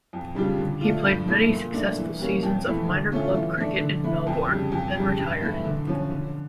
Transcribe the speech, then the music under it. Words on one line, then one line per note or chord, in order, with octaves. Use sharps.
He played many successful seasons of minor club cricket in Melbourne, then retired.
F2
C#3 G3 D4 F4
D3
A3 D4 F4
G2
F3 A3 E4
A#2
A3 D4
E3
G3 A#3 C#4
F2
E3 A3 E4
D3
A3 C#4 F4
E3
A3 D4
D3
A3 E4
F2
C#3 G3
F2
C#3 G3
G2
E3 A3 E4
D3
F3 C#4
D3